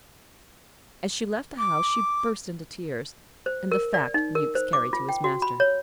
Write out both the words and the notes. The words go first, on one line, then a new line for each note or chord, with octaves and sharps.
As she left the house she burst into tears; and the fact Mewks carried to his master.
D6
C5
A#4
D5
D#4
A#4
C5
D6
F4
G5
F#4
B5
C#5